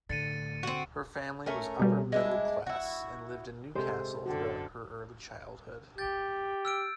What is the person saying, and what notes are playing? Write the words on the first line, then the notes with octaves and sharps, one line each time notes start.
Her family was upper-middle-class and lived in Newcastle throughout her early childhood.
A2 D3 A6 C#7 D#7
C4 F#4
A3 C#4 A#4
B2 G3
G#3 D4 E4
E4 F#4
C3 G#3 G4 A4 C5
F#2 D3 F#4 A4 G5
G4 G6 A6
E6 F6 D7